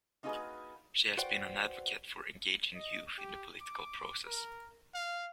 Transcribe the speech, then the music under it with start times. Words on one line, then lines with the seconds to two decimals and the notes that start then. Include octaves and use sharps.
She has been an advocate for engaging youth in the political process.
0.23 A#3 D#4 F4 F#4 G#4 B4
1.17 F#4 B4 C5 D5 F#5 G5
2.75 D#5
3.18 G4
3.61 D6
4.27 A#4
4.94 F5